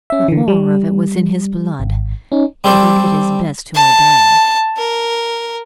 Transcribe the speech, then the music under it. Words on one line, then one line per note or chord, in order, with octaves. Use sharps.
The horror of it was in his blood, yet he did his best to obey.
C#4 E5
D3 E3
G3
G#1
C#4 D#4
G3 C4 A4 C5 D5
A5
A#4